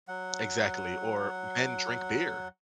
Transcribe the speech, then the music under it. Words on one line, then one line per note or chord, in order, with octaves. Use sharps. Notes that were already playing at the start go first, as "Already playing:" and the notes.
Exactly, or men drink beer.
F#3 F#5